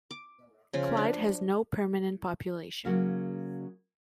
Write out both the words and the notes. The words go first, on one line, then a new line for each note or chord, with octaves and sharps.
Clyde has no permanent population.
D6
C#3 F3 F4
D4
C#3 F#3 A#3 F#4